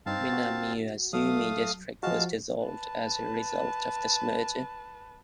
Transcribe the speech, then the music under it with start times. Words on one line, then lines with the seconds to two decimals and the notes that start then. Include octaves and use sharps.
Minamiazumi District was dissolved as a result of this merger.
0.06 G2 C4 D#4 F5 A5
0.30 F#4 A6
1.13 F#3 A3 F5 D#6
2.03 F3 G#3 F#4 F5 A5
2.65 B4 A5